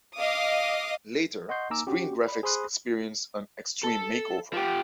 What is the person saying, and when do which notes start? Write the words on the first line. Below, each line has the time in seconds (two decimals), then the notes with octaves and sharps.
Later, screen graphics experienced an extreme makeover.
0.17 D#5 F5 D6 D#6
1.49 D#5 F#5 C6 C#6 G6 C7
1.70 A#3 D#4 G#5 A#5 D6 E6
1.87 C#4 F#4 G4
2.28 D5 B5
2.43 G#4 C5 B5 C6 D#6 F#6
3.83 A4
4.53 F3 G4